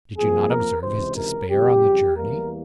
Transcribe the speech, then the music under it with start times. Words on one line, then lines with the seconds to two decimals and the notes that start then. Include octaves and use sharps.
Did you not observe his despair on the journey?
0.17 F2 C3 F3 A#3 G#4
0.50 A#4
0.83 C#2 C3 E3 G#3 C5
1.17 A#4
1.49 F2 C#3 G3 G4
2.15 E2 E3 G3 A#3 A#4